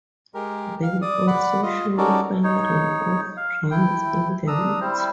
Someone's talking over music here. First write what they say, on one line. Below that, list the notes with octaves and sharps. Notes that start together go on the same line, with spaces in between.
They're also shown firing off rounds in the woods.
G#3 G4 A#4
F5
D5 D#6
D5 F#5 B5
F4 D#5
C#4 D#4 F#4 A4 A#4 D5
D#4 C#5
F5
E4 G5
D4 A#5 D#6 E6
G3 C4 E4 C5